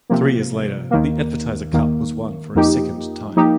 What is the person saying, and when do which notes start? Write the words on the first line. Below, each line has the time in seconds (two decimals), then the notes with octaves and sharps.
Three years later the Advertiser Cup was won for a second time.
0.10 C3 F3 A#3
0.91 D#2 D#3 A#3
1.73 D#2 D#3 A#3
2.55 F2 F3 A#3 D#4 G4
3.37 F3 A#3 D#4 G4